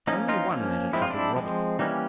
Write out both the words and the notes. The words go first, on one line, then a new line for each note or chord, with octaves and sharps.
Only one matter troubled Robin.
F3 A#3 C#4 D#4
D#4 F4
F3 A#3 C#4
F3 G#3 C4 E4
F4
D4 E4
F3 G#3 C4
E3 G3 A#3 C#4 D#4